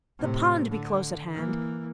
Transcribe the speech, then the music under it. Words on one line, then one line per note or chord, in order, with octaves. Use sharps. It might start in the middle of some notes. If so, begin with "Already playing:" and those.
The pond be close at hand.
A2 C3
D3
E3 A#3